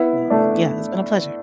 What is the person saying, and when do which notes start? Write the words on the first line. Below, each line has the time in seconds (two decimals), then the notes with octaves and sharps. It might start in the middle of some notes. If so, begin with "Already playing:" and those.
So, um, yeah, it's been a pleasure.
Already playing: B3 E4
0.30 A3 D4